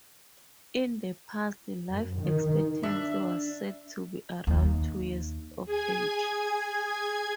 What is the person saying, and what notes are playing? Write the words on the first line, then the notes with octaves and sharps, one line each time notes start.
In the past, life expectancy was said to be around two years of age.
F#2
D#3
D4 E5
D#2
G#4 G#5 G#6